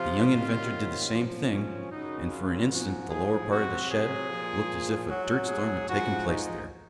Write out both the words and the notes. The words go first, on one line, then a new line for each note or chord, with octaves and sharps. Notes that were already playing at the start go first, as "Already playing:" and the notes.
The young inventor did the same thing, and for an instant the lower part of the shed looked as if a dirtstorm had taken place there.
Already playing: C3 F3 F4
C3 D#3 F#3
F#2 F3
C#4
F#2 C#3 F#3 D#4
F4
G#2 F3 F#4
G#4
C3 F#3 F#4
G#4
A#2 F3
G#2 F#3 F#4
G#4
G#2 F3 F#4
D#4